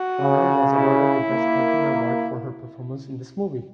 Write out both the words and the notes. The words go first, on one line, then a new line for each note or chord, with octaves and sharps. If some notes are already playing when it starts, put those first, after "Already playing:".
Aunor was awarded the Best Performer award for her performance in this movie.
Already playing: F#4
C#3
E4
A#3